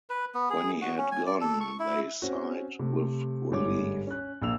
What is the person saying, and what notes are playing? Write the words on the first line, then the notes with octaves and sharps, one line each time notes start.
When he had gone, they sighed with relief.
B4
B3
G#4
F#4
C#4
G#5
D5
A4
C#6
E4
C4 C#4 F#4
C3 A3
G1 G#2 G3 G#3 C#5 D6
C#4 F#6
A#1 A#3 E6 F7